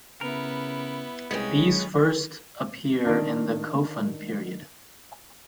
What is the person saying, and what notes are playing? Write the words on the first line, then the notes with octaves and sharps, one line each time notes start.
These first appear in the Kofun period.
C#3 B3 E4 A#4
C2 G#3 B3 C#4 G#4 G5
D#3 D4